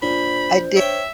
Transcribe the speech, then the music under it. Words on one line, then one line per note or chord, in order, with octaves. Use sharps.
I did
A#2 D4 C5 B5
C#5 E5 G5